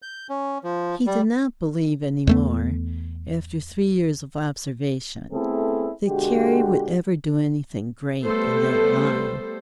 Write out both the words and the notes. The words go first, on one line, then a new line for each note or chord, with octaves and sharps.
He did not believe any more, after three years of observation, that Carrie would ever do anything great in that line.
G6
C#4
F3
G3
E2 A3 B3
A3 B3 C4 E4 G#4 A4
B2 D3 G#3 F#4 G4
G3 A3 B3 A4 C5